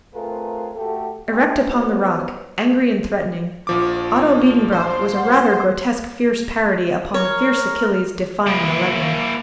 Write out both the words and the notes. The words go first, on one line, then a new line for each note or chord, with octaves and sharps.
Erect upon the rock, angry and threatening, Otto Liedenbrock was a rather grotesque fierce parody upon the fierce Achilles defying the lightning.
A3 C4 F4 G#4 A#4 B4
A3 F#4 G4 A4
G2 C3 G#3
B3 C#4 D#4 F#4 C5
A#1 F3 D6
C5
F#5
A#4 C#5
A#3 E4